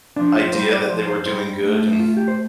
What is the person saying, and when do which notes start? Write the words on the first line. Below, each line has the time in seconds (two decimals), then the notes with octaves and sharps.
idea that they were doing good and
0.16 F3 D4
0.36 F4
0.53 G3 C5
0.72 D5
0.90 F3 C5
1.08 C5
1.26 G3 C5
1.62 A3
2.00 F4
2.17 G4
2.28 C5